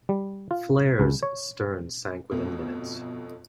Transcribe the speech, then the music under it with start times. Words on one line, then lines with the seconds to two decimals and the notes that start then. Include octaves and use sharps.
"Flare"s stern sank within minutes.
0.09 G3
0.51 F4
1.00 C#2
1.23 C#5
2.31 G1 F2 B2 A3